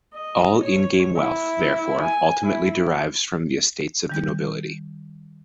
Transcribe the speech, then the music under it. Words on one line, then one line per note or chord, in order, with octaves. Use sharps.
All in-game wealth, therefore, ultimately derives from the estates of the nobility.
D#5
C#5
E4
G#5
E4
D#3 G3 G6